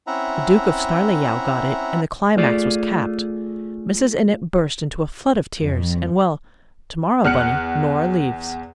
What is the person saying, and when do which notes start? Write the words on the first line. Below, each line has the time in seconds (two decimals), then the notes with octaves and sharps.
The Duke of Snarleyow got it and the climax was capped. Mrs. Innitt burst into a flood of tears and--well, to-morrow, Bunny, Norah leaves.
0.07 C4 C#4 E4 E5 F#5 A#5
2.37 A3 F4 G#4 D5
5.60 F2
7.24 E2 F6 F#6 C#7